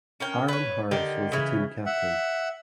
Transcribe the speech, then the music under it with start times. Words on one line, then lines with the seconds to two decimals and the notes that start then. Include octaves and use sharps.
Aaron Harris was the team captain.
0.20 C#4 A#4 G5
0.48 B4 C#5
0.91 D3 D#3 G4 G5
1.32 C#3 E3
1.86 E5 F#5